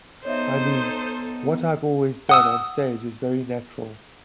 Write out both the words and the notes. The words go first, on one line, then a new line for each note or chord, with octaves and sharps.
I mean, what I've always done onstage is very natural.
B3 D#4 A4 C5 C#5 D#5 E5
F#5 D#6 E6